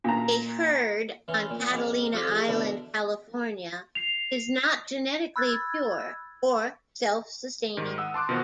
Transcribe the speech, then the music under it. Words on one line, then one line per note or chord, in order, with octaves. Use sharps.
A herd on Catalina island, California is not genetically pure or self-sustaining.
A#2 A#5
E3 C#4 C6
A#2
F2 G#2 D5 F5
C4 F4 G4 A4 D5
F4 G#4 D#5
B2 D3 D4 E4
C7 F7
B5 E6 F#6 G#6 A6
G#2 D#3
F#5 D#6 E6
A5 C6 D6 F#6
B2 D#3 F3 B3